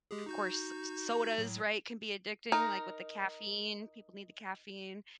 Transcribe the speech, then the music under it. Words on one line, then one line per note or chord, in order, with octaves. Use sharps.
'course, sodas, right, can be addicting, like, with the caffeine- people need the caffeine-
G#3 G4 G#4
D#4 F#4 G6
A2 F#3
D#4 A#4